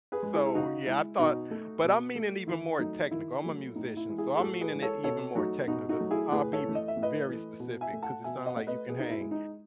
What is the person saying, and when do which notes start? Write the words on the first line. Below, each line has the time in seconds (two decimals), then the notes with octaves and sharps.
So, yeah, I thought but I'm meaning even more technical, I'm a musician, so, I'm meaning it even more technical. I'll be m very specific 'cause it sound like you can hang.
0.12 G#4 B4
0.23 G#3
0.34 E4 G#4
0.46 E4
0.55 C#3 D#4 F#4
0.86 G#3 E4
1.19 B2 D#4 F#4
1.51 A3
1.83 B2
2.15 A3
2.47 D#3 E4
2.79 F#3 A3 D#4
3.11 D#3 E4
3.43 F#3 A3
3.75 A2 D#4
3.97 E4
4.08 E3 G#3
4.18 E4 G#4
4.36 G#4
4.39 A2 F#4 A4
4.61 G#4 B4
4.72 E3 G#3
4.82 A4 C#5
5.04 B2 A4 C#5
5.35 F#3 A3 D#4 F#4
5.68 B2 D#4 F#4
5.89 D#4 F#4
6.00 F#3 A3
6.11 E4 G#4
6.32 A2 G#4 B4
6.53 A4 C#5
6.64 E3 A3
6.75 D#5
6.88 E5
6.97 A2
7.02 B4 D#5
7.28 E3 A3
7.60 B2
7.81 E5 G#5
7.93 A3
8.02 F#5 A5
8.24 B2 E5 G#5
8.46 D#5 F#5
8.56 A3
8.67 B4 D#5
8.88 B2 G#4 B4
8.99 D#4
9.10 E4
9.21 G#3
9.31 D#4